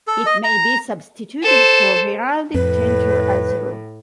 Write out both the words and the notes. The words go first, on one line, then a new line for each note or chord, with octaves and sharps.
It may be substituted for heraldic tincture azure.
A4
D#5
A#5
A4 C5
F2 A2 B4